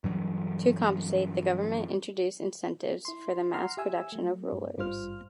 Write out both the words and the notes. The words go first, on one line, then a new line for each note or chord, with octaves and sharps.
To compensate, the government introduced incentives for the mass-production of rulers.
G2 E3 F#3 G3
E4 C6
F#5 A#5 C6 F6 C7
G4 E5 G#5 E6
F#3 A3
G2
G#1 G2 G3 F4 C5 F6